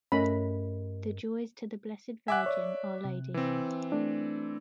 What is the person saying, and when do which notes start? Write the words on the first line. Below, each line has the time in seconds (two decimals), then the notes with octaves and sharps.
The joys to the Blessed Virgin, Our Lady.
0.12 G2 A3 C#4 A#4 D#5 B5
2.28 E5 F#5 G#5 D6 F#6
2.46 C#5 D5
3.05 C3
3.34 E3 C4
3.92 A3 D4